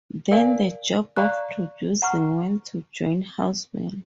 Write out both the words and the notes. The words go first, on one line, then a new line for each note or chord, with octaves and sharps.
Then the job of producing went to John Houseman.
A#4 D5 F5 G#5
D5 F5 A#5 C#6 F#6
F#5 A#5 C#6 F6